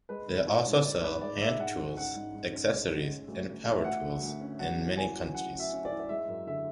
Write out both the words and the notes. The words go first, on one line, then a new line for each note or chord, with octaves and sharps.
They also sell hand tools, accessories and power tools in many countries.
G#3 B4
G#3
A1 C#5
G#2
G#2 D5
G#2 B4
G#3 D5
G#3 E5
G#2 F#5
G#3
C#4 F#5
G#2
G#2
C#4
G#3
G#3
C#4
D2
D2
D2
E5
D2 F#5
D3
D2
C#4
F#3 F#5
E2
E2 G#5
F#3
C#4 F#5
C#4
E5
C#4
D5
E2
D5
G#3 E5
F#2
D3 E5